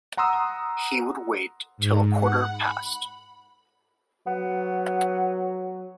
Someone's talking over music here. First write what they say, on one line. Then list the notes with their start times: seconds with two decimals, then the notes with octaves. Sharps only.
He would wait till a quarter past.
0.17 F#5 A#5 C6 D#6 E6
1.77 G#2
2.15 F#5
2.52 B5
4.27 F#3 B3